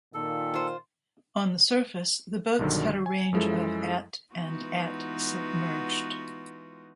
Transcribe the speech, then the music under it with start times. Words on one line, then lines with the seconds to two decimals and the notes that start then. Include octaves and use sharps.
On the surface, the boats had a range of at and at submerged.
0.14 A#2 D#3 A4
0.54 F4 C5
2.59 B1 G2 D3 D#3 F#3
3.06 G#5
3.33 F#2 F3 G#3 E4 A4
4.34 E3 G#3 B3 D#4 F4 F#4